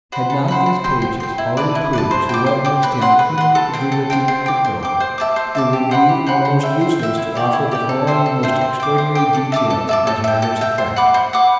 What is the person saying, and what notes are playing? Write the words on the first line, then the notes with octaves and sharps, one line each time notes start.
Had not these pages already proved to what an extent human credulity could go, it would be almost useless to offer the following most extraordinary details as matters of fact.
C5 F#5 B5
A4
C5 F#5 B5
C5
G5 C6
C5
G5 C6
E4
B4 D5 A5
E4
B4 D5 A5
C5
G5 D6
C5
G5 D6
B4
F#5 C6
B4
F#5 C6
A4
C5 G5
A4
C5 G5
C5
G5 D6
C5
G5 D6
C5
E5 A5 D6
C5
E5 A5 D6
G4
C5 F#5 B5
G4
C5 F#5 B5
C5
E5 G5
C5
E5 G5
E4
G4 D5 G5
E4
G4 D5 G5
A4
C5 E5 G5
A4
C5 E5 G5
C5
G5 D6
C5
G5 D6
A4
E5 A5 D6
A4
E5 A5 D6
A4
E5 G5
A4
E5 G5
C5
F#5 B5 D6
C5
F#5 B5 D6